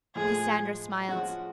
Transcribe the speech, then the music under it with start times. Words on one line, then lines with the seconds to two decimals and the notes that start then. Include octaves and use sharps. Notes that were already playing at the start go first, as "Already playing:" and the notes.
Cassandra smiled.
0.15 A2 F3 G#3 G#4
1.08 F3 G#3 C#4 F#4